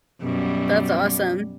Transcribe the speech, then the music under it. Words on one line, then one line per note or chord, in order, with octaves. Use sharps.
that's awesome.
F#2 B2 G3